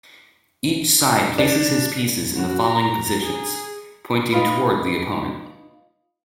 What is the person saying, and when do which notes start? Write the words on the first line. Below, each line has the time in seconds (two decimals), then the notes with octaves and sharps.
Each side places his pieces in the following positions, pointing toward the opponent.
1.38 D4
2.36 F#4
2.69 A#5
3.23 G#4
4.32 D#4 F4 B4